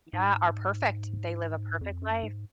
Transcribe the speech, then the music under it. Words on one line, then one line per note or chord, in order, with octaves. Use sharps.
Yeah, are perfect. They live a perfect life.
G#2
F2
F#2
G#2